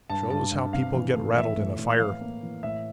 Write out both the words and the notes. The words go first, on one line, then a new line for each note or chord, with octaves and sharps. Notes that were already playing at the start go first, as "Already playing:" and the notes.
Shows how people get rattled in a fire.
G2 A5
G2 A5
G2
C3 F5
E3
A3
E3 E5
A2
A2
E3 F5
A#3
E3
A2 E5